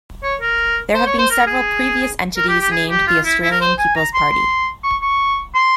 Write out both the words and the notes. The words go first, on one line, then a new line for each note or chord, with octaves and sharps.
There have been several previous entities named The Australian People's Party.
C#5
A#4
C5
C#5
C5
A#4
G#4
A#4
G4
G4
G#4
G4
F4
E4
E4
A#4
C5
G#5
A#5
C6
C6
C#6
C#6
C6